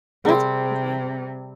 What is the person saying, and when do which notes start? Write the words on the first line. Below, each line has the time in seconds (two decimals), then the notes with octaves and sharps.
That's crazy.
0.25 C3 G3 C4 G#4 A#4 F#5